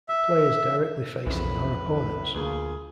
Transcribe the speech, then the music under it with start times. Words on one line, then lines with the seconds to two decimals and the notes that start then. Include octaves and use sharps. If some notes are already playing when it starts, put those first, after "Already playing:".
The players directly facing are opponents.
0.09 E5
1.26 B1 F2 A2 C#3 E3 B4
2.35 D2 A#3 F4 G#4